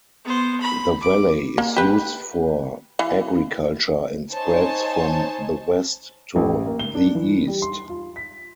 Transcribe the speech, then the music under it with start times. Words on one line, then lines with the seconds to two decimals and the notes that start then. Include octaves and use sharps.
The valley is used for agriculture and spreads from the west to the east.
0.25 B3 C5
0.60 B5
1.01 D6
1.58 A#3
1.76 G4 B4
2.99 E3 F5
4.32 D#4 C5 C#5 G#5 A5
6.36 A1
6.66 A#3
6.79 G7
6.95 D4
7.15 E3
7.47 G3
7.62 C6
7.89 F4
8.16 B6